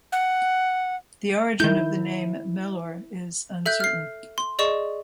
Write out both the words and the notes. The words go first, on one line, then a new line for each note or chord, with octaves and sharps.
The origin of the name "Mellor" is uncertain.
F#5
D#3 E4 G6
A4 E5 F#6 G6
F6 C7
C6
G#4 D5 D#5 C#6 E7